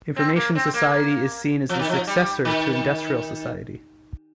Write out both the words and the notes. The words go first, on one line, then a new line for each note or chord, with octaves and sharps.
Information society is seen as the successor to industrial society.
C4
A#3
C4
A#3
F3
D#3
F3
G3
D#3